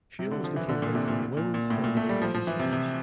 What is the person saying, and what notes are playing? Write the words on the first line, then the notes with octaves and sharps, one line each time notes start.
Fuel was contained both in the wings and the deep fuselage.
C3
D3
F3
E3
D3
A#2
C3
A#2
A#2
A#2
A2
A#2
A3
G3
F3
F3
E3
C3
C3